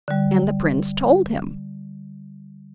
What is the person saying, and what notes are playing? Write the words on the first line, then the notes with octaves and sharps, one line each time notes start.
And the prince told him.
D3 G3